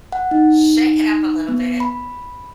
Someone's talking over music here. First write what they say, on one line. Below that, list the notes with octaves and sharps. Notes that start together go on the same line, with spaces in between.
shake it up a little bit.
F#5
D#4
B3
B5